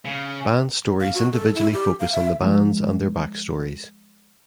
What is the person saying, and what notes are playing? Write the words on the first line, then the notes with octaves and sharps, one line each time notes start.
Band stories individually focus on the bands and their backstories.
C#3
F5
F#4
A4
E4
G4
F5
E5
F3 G#3